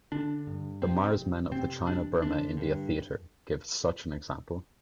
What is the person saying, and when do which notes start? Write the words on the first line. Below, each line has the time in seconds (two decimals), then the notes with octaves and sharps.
The Mars Men of the China Burma India Theater give such an example.
0.12 D3 D4
0.47 G2
0.82 C3 C4
1.18 F2
1.51 C3 C4
1.87 F2 D4
2.22 D3 D4
2.57 G2